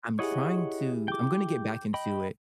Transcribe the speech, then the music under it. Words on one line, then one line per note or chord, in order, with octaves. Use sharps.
I'm trying to I'm gonna get back into it,
E4 G4 G#4 C#5 D#5 F#5
G5 D6
D#5 G5 B5